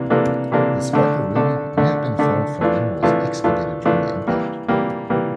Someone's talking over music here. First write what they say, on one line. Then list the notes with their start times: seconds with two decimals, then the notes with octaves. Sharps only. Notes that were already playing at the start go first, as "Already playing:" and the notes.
This darker rim may have been formed from minerals excavated during the impact.
Already playing: C3 E3 A#3 D4
0.10 C3 E3 A#3 D4 A4
0.52 C3 E3 A#3 D4 A4
0.93 D3 A3 D4 A4
1.35 D3 A3 D4 A4
1.77 D3 A3 D4 A4
2.19 D3 A3 D4 A4
2.61 E3 A3 D4 F4
3.03 E3 A3 D4 F4
3.44 E3 A3 D4 F4
3.85 E3 A3 D4 F4
4.27 E3 G3 A#3
4.68 E3 G3 A#3
5.10 E3 G3 A#3